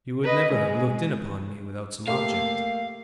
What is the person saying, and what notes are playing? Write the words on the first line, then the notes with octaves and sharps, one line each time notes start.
You would never have looked in upon me without some object.
B4 D#5
G#3
A3 A#3 G4 F5